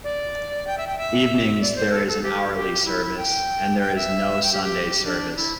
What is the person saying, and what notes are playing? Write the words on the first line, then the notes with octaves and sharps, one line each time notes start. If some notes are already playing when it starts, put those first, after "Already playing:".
Evenings there is an hourly service and there is no Sunday service.
D5
G5
E5
G5
E5
D5
C5
A4
A4
G4
G4
E4
G5
G5
E5
G5
G4
G4
D4
E4